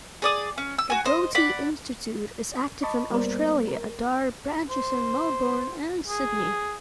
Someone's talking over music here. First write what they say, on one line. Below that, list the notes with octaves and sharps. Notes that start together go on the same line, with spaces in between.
The Goethe-Institut is active in Australia, there are branches in Melbourne and Sydney.
G#4 D5 D#6
C#4
E6
F#4 G#5
C5 D#5
D5 F#5 B5
D#5 A5 B5 C#6 D6
G3 A#3 B3 A#4 C5 D5
A#4
C5
G#4